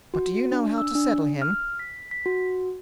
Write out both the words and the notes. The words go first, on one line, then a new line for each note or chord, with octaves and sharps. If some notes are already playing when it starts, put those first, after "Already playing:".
'But do you know how to settle him?
F#4
D4
E6
D4
F6
B6
B6
F#4